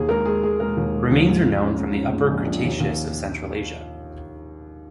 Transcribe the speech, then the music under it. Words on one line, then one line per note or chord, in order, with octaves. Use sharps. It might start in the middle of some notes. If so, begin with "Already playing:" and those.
Remains are known from the Upper Cretaceous of Central Asia.
Already playing: D#2 G#4
G#3 A#4
G#3 G#4
G#3 G#4
G#3 A#4
D#2
G#3
D#2
G#2
F3
C#4
G#2
C#4
G#2
A#1
A#1
D#2
D#2